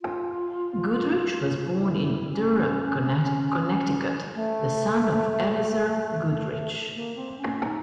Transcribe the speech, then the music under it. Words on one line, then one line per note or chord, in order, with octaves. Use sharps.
Goodrich was born in Durham, Connecticut, the son of Elizur Goodrich.
F4
E4
E4
C#4
A3
A#3
C4
C#4
D#4